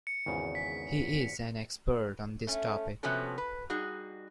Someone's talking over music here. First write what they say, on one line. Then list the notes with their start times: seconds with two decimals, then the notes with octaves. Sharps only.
He is an expert on this topic.
0.07 C#7
0.26 G#1 E2 C#3
0.55 B6
2.47 A3 C#4
3.03 C3 F3 B3 C#4 F#4 A4
3.38 B4
3.70 G3 D#4 F#4 G#4